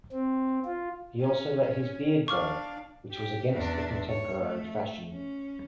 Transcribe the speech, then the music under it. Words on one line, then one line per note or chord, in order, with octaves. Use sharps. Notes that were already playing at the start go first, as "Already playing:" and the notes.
He also let his beard grow, which was against the contemporary fashion.
C4
F4
C#4
D4 F5 C#6 D6 F6
G4
E2 D4
C#5
A3
C#4